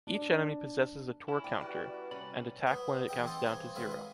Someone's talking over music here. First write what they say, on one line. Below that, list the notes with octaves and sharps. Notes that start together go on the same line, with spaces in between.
Each enemy possesses a tour counter, and attack when it counts down to zero.
D4
C#4 E4 A#4
D5 G5
G3 F#4 B4
C2 C#4 D5 B5
F#3 B3
E2 G#4 D#5 E5 G5
C4 D#4 C5 D#5 A5
G2 C4 G#5
D#3 F#3 G#3 B4 E5 F5
D#5